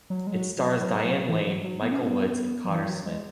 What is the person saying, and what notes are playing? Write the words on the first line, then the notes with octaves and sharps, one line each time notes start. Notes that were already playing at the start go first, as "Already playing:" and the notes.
It stars Diane Lane, Michael Woods, and Cotter Smith.
F#3
G#3
F#3
F#3
F#3
F#3
E3
F#3
F#3
B3
C#4
B3
F#3
E3
F#3
G#3